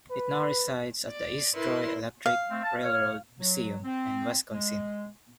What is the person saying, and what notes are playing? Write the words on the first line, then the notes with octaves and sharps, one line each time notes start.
It now resides at the East Troy Electric Railroad Museum in Wisconsin.
B4
D5
E4 A#4 B4 C6
F5
A3 C4
A5
C#5 F6
F#3
C4
G#3